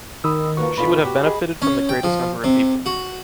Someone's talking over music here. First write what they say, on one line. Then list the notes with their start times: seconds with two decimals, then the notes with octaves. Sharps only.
She would have benefited from the greatest number of people.
0.24 D#3 B5 D#6 E6
0.57 F3 A#3 F#4 B4 C#6
0.77 B2 D3 F4 B5
1.05 F#4 G4
1.26 G#4 D#5
1.62 C#4
1.89 G5
2.03 F3
2.44 C3
2.86 F#4